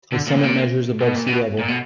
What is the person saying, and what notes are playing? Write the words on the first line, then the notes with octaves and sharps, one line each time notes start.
The summit measures above sea level.
D3
A#2
A2
A#2
B2
A#2
B2
A#2
B2